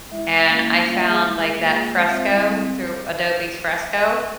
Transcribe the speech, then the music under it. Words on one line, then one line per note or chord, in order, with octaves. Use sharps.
and I found, like, that Fresco, through Adobe's Fresco,
G#3 E4 E5
A#3 C#4 E4 F5
G3 A#3 F4 F5
E5
G#4
G#3 E4
A#3 F4
G#3 C4 F4 C5
E5
F5
G3 C4 E4